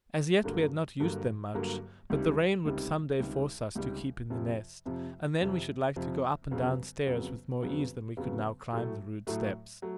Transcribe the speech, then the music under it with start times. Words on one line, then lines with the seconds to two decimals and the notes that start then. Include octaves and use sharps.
As yet we had not used them much, but the rain would some day force us to keep in The Nest, and then we should like to go up and down stairs with more ease than we could now climb the rude steps.
0.44 G2 D3 F#3 A#3
1.00 G2 D3 F#3 A#3
1.55 G2 D3 F#3 A#3
2.10 C#2 C3 D#3 G3
2.65 C#2 C3 D#3 G3
3.20 C#2 C3 D#3 G3
3.75 C#2 C3 D#3 G3
4.30 F2 C3 F3
4.85 F2 C3 F3
5.41 F2 C3 F3
5.96 F2 C3 F3
6.51 F2 C#3 F#3 B3
7.07 F2 C#3 F#3 B3
7.62 F2 C#3 F#3 B3
8.17 F2 C#3 F#3 B3
8.72 A2 F#3 A3
9.27 A2 F#3 A3
9.82 F#3 A3